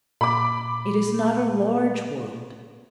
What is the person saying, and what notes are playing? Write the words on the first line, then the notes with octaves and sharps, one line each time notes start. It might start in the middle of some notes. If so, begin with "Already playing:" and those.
It is not a large world.
A#2 B5 D6